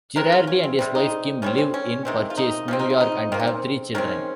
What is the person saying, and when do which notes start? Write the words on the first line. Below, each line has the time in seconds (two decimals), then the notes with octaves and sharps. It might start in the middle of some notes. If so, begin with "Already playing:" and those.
Girardi and his wife Kim live in Purchase, New York, and have three children.
0.16 D#3 G#3 C4 A#4
0.32 F4
0.47 C#4
0.63 C4
0.79 C3 G3 C4
0.95 D#4
1.42 D#3 G3 C4 C#4
1.58 C4
1.74 C#4
2.05 C3 D#3 G#3 C4
2.30 F4
2.37 D#4
2.68 F3 G#3 C4 C#4
2.79 D#4
2.90 F4
3.01 D#4
3.32 D#3 A#3 C4
3.39 C#4
3.47 C4
3.95 D#3 G#3 C4 C#4